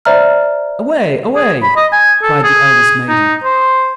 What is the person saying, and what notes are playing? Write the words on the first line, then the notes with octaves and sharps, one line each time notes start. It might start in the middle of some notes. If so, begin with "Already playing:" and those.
"Away! away!" cried the eldest maiden.
C5 D5 E5 A#5 F6
G#4
B5
D#5
G#5
A4
G#4
D#4
C5